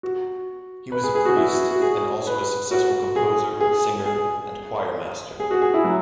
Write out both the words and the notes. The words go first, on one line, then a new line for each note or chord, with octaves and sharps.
He was a priest and also a successful composer, singer and choir master.
F#4
B4
G#4
G#4
F#4
E4
F#4
F#4
G#4
B4
F#4
G#4
G#4
G#4
G#4
F#4
G#4
E4
F#3